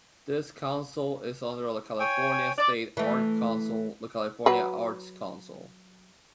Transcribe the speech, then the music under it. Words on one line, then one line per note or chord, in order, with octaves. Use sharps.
This council is under the California state arts council the California Arts Council.
C#5 G5 G#5
D5
E3 A3
F#3 B4